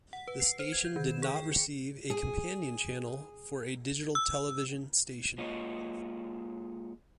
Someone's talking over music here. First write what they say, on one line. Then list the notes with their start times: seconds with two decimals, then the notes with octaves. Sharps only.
The station did not receive a companion channel for a digital television station.
0.13 F#5
0.28 B4
0.40 C7
0.59 C5
0.72 G#6
0.85 G6
0.96 D#3
1.08 E7
1.22 G#4
1.36 G5
1.52 C#7
2.10 G#4
4.15 E6
5.38 G#3 A#3 F4 C#5 D#5